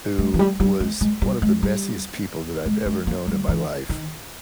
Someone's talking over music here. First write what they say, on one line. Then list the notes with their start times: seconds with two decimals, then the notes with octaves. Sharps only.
who was one of the messiest people that I've ever known in my life,
0.18 G#3
0.34 E3
0.39 G3
0.60 G3
0.80 G#3
1.01 G#3
1.22 G3
1.42 G#3
1.63 G3
2.66 G#3
2.86 G#3
3.07 A#3
3.27 G3
3.48 E3
3.89 D#3